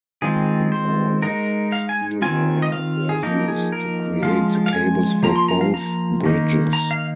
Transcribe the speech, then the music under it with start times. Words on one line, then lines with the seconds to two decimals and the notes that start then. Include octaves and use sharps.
In all of steel wire were used to create the cables for both bridges.
0.22 D#3 G#3 C4 F4 G#4
0.72 C5
1.22 G#3 D#4 A#4
1.72 F5
1.89 G#5
2.22 D#3 C4 F4 G#5
2.62 D#5
2.72 F5
3.09 G#4
3.23 F3 A#3 D#4 A#4
3.48 G#4
3.72 A#4
4.22 F3 G#3 F4 F5
4.66 F5
4.73 G#5
5.23 F3 A#3 F4 A#5
5.36 C6
5.48 A#5
5.61 F5
5.74 A#5
6.24 D#3 A#3 D#4
6.73 A#5
6.91 F5